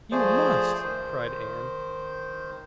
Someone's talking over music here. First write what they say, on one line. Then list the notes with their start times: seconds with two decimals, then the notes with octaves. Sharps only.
"You must!" cried Ann.
0.12 F3 A3 G#4 C5 D5
0.84 D#3 C5